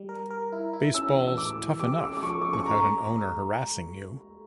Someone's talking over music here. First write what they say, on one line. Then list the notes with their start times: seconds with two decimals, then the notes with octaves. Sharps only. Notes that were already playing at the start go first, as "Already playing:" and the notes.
Baseball's tough enough without an owner harassing you.
Already playing: G3
0.09 A#4
0.30 A#4
0.52 E4
0.73 E4
0.94 C#4 E6
1.16 E3
1.27 E6
1.37 A2 D6
1.59 E3
1.80 G4 D6
1.92 E6
2.01 C#4 D6
2.17 D6
2.23 F3 C#6
2.42 C#4 D6
2.53 C#6
2.66 A3 A#5